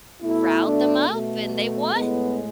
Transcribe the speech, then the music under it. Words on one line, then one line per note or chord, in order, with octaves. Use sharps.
riled them up, and they won.
B2 A3 E4
D4
B2 A3
A2 G#3 B3